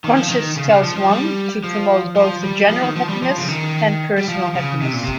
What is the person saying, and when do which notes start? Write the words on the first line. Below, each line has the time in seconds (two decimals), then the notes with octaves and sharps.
Conscience tells one to promote both the general happiness and personal happiness.
0.04 D#3
0.17 F3
0.30 D#3
0.56 C#3
0.70 C#3
0.83 F3
0.96 F3
1.09 G3
1.64 F3
2.16 F3
2.43 G3
2.69 F3
2.82 D#3
2.96 F3
3.09 G3
3.22 F3
3.38 C#3
3.48 D#3
4.17 G3
4.29 F3
4.55 C#3
4.81 C3
4.93 A#2
5.04 C3